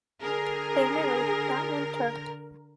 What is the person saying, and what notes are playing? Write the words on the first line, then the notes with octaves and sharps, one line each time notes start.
They married that winter.
D3 G#4 A#4